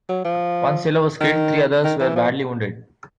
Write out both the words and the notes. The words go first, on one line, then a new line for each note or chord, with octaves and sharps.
One sailor was killed, three others were badly wounded.
F#3
F3
D#3
D#3
E3
F3